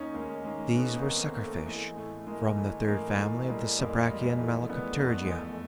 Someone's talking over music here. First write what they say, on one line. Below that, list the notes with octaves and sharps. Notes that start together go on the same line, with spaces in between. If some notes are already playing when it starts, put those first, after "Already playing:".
These were suckerfish from the third family of the subbrachian Malacopterygia.
Already playing: D#2 C#4 D#4
D#2 G#3 A#3
D#3 G#3 A#3
D#3 A3 B3
A#3 C4
D#2
D#2
A3
E3 G#3
A2 A3
E3 G#3 A#3
E3 A3
A2 G#3 A#3
A2 A3
G3 G#3 A#3
F2 G#3 A#3
G3 G#3
E3 A3
G3 A3 B3
F2 A3 B3
G#3
E2 A3